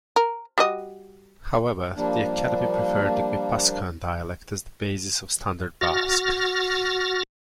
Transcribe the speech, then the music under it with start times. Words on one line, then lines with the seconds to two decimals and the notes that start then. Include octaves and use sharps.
However, the Academy preferred the Guipuscoan dialect as the basis of Standard Basque.
0.16 A#4
0.58 G3 F#4 D#5
1.96 F3 G3 A#3 D4
5.81 F#4 F6 A6 A#6